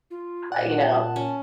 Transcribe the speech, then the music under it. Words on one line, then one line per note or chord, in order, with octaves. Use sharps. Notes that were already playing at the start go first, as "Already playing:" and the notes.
uh, you know.
F4
A#2 D5 F#5
A5
C#4